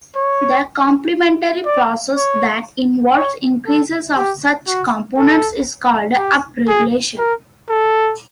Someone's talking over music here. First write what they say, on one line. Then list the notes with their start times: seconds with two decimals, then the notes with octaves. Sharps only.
The complementary process that involves increases of such components is called upregulation.
0.15 C#5
1.66 D5
2.16 C#5
3.16 C#5
3.66 A4
4.17 G4
4.67 F#4
5.18 A4
6.17 G4
6.68 G#4
7.18 A#4
7.69 A4